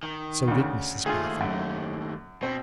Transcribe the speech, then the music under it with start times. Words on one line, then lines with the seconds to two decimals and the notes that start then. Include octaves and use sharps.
So did Mrs Boffin.
0.03 D#3
0.48 D2 C#3
1.06 D#2 A3 F4 G#4
1.41 F#2
2.43 B2 C4